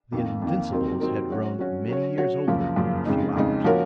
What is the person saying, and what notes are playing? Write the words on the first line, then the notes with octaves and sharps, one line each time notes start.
The Invincibles had grown many years older in a few hours.
F2 D#3 A#3
F2 D#3 A#3
C3 F#3 C4 D#4 A#4
C3 F#3 C4 D#4 A#4
F#3 C#4 F#4
F#3 C#4 F#4
F#3 C#4 F#4 C#5
F#3 C#4 F#4 C#5
F#2 C#3 F3 A#3
F#2 C#3 F3 A#3
F2 C#3 G#3 D#4
F2 C#3 G#3 D#4
F3 A#3 C#4 F#4 A#4